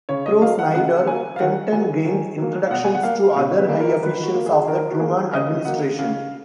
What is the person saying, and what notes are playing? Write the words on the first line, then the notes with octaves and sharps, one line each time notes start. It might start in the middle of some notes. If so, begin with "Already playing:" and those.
Through Snyder, Kempton gained introductions to other high officials of the Truman administration.
C#3 C#5
D#5
F#3 A#3 F5
F#5
C#3 F#5
F#3 A#3 G#5
F5
D#3 F#5
F#3 A#3 G#5
D#3
F#3 A#3
F5
B2 F#5
G#5
F#5
A#3 F5
B2 D#5
B4
A#3
A#4
D#3 B4
F#4
A#3
G#4
D#3 A#4
F#4
A#3 G#4
C#3 D#5
F#3 A#3 F#5
C#3 F5